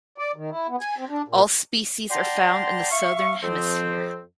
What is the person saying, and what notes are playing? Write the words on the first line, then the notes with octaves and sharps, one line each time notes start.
All species are found in the Southern Hemisphere.
D5
D#3
E4
B3
G#5
C4
D4
A#2
D5 F#5 G5 A5 A#5 C6
E5 F5 C#6
F2 F3 C4